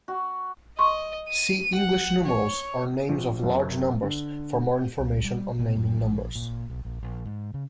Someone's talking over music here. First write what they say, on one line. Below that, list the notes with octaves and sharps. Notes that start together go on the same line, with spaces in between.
See English numerals or names of large numbers for more information on naming numbers.
F#4
D#5 C6 C#6
D#7
F#5
C#5
A#1
F#1
D3
C2
G3
B2
F#2
A#1
A#2
B1
A#1
A#1
G#2
C#3